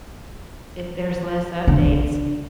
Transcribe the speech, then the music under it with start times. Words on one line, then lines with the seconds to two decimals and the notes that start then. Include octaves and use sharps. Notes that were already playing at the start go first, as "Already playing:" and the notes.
if there's less updates,
1.67 D3